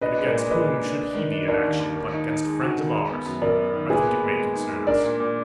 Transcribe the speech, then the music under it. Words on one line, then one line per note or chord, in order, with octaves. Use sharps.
And against whom should he be in action but against friends of ours I think it may concern us.
D4 B4 D#5
G#3
A#4 D5
A#2
G#3 B4 D#5
A#2
D4
D4
D#3
D4
D#2 A#4 D5
D#2
D#2
D#3
D#4
D#4
G#3
F#4
D#3
G#3
B3
F#2
F#2 A#4 D5
B3
D#3
A#2 G#4 B4
B3
G#3
G#3
D#4
G#3
D4 A#4 D5
A#2
A#2